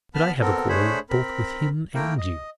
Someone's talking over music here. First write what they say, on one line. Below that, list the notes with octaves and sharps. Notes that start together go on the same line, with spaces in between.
But I have a quarrel both with him and you.
B3 A5 B5 F6
B3 C4 A4 A#4
A3 D4 G#4 C5 C#5 B5
C4 A#4 B5
A3 A#3 E4 A#4 G5
D#5